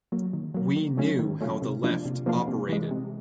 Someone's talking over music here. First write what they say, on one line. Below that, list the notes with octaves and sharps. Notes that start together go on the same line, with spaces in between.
We knew how the Left operated.
F#3 A#3
D#3
F#3 A#3
D#3
F#3 A3 C#4 F4
D#3
F#3 A3 C#4 F4
C3
F3 A#3 D4 F4
C3
F3 A#3 D4 F4
C3
E3 G#3
C3